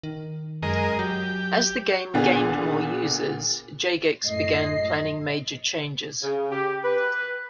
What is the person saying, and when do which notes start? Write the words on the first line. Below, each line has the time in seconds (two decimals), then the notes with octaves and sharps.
As the game gained more users, Jagex began planning major changes.
0.03 D#3
0.63 F#2 G#3 A#4 D#5
0.99 F#3 G4
2.14 A#2 D3 B3 D4 G#4
4.25 F#2 A2 D#5 C7
6.23 C#3
6.51 G4
6.84 B4